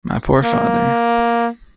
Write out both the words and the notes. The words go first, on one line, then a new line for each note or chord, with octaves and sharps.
My poor father!
A#3